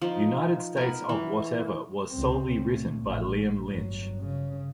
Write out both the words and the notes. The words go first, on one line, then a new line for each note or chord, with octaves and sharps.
"United States of Whatever" was solely written by Liam Lynch.
F3 D#4
B3 A#4
E3
C#2 C4
A#2 A3
A1
G1 F#3
C#3